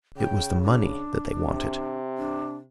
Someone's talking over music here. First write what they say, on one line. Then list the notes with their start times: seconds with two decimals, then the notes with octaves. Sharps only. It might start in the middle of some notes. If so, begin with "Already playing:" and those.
It was the money that they wanted.
0.17 C#3 G5
0.62 D4
1.45 C3
2.18 D4